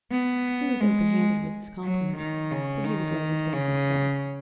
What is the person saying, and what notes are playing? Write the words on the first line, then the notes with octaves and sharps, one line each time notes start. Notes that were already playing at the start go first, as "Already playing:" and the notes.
He was open-handed with his compliments, but he would lay his guns himself.
B3
G#3
F#3
D#3
C#3
D#3
C#3